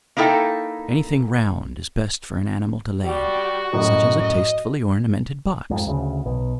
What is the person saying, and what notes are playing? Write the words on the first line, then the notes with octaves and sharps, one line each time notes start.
Anything round is best for an animal to lay in; such as a tastefully ornamented box.
A#3 D#4 E4 A4 G5
G3 F#4
F#2 A2 F#3 D#5
D#5
F2 G#2
D2 C#3
B1 B2